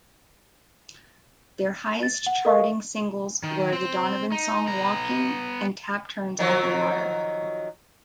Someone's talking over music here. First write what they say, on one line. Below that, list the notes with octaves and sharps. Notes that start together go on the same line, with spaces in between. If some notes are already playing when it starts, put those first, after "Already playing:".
Their highest-charting singles were the Donovan song "Walking", and "Tap Turns on the Water".
A6
F#5
A4 A#4 D#5 F5 C#6
D#3
C4 C5
D#4
B3 A#5
D#3 F3 F#3